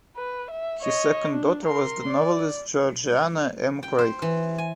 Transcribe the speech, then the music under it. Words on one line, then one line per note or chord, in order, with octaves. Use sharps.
His second daughter was the novelist Georgiana M. Craik.
B4
E5
C#5 D#5
D4
A#4 C6
D5
G5
C5
E3
G#5